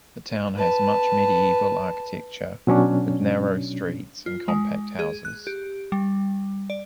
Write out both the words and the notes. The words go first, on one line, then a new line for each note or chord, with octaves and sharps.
The town has much medieval architecture, with narrow streets and compact houses.
B4 A5
B2 F#3 C#4 D4
F4
G#3
G#4
F#6
G4
G3
D5